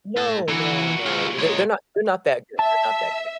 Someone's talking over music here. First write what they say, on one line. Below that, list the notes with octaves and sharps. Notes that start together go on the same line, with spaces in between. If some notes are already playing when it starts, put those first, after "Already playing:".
no, no, no. They're they're not they're not that good they're not that
A2 A4
A#2 E3 F#4
F4 G#4
G#3 C#5
E5 A5